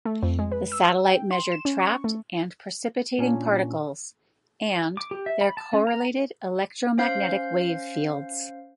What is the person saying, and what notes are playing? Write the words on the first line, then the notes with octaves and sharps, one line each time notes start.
The satellite measured trapped and precipitating particles and their correlated electromagnetic wave fields.
A3
F2
G#3
B4
E6
G5
C6
E7
C#4
C#6
A3
A#2 C#4 D4
D6
G4
E5
B5
A5
C#4
A#5
C#4 C5 F5 G6